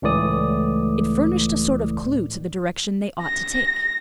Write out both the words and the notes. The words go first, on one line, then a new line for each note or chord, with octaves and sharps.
It furnished a sort of clue to the direction they ought to take.
C#2 A2 E3 A3 D5 D#6
A#6